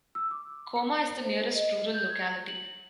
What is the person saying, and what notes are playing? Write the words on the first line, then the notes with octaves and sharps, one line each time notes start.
Koma is the nearest rural locality.
E6
D6
C#7
C5
D#5
G6
G#6
F#7